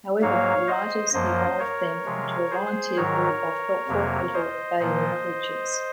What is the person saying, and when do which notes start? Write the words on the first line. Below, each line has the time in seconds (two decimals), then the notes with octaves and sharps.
However, the writers evolved them into a volunteer group of helpful little bayou creatures.
0.22 G#2 F#3 A#3 C#5 F5
0.68 C5 D#5
1.14 F#2 F3 A#3 C5 D#5
1.59 A#4 C#5
2.05 C3 F3 G#3
2.51 G#4 C5
2.97 G#2 D#3 F#3 A#4 C#5
3.88 F2 C3 F#3 A#3
4.34 C5 D#5
4.80 A#2 F3 A#3 C5 D#5